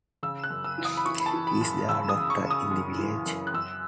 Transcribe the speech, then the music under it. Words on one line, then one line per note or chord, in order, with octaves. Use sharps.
Is there a doctor in the village?
C#3 E6
F#6
F#2
E6
E3
D#6
B5
E3 C#6
B5
A5
E3
B5
F#2
C#3 E6
D#6
C#3
C#6
C#3
D#6
F#2
E3
F#2
F#6
F#2 E6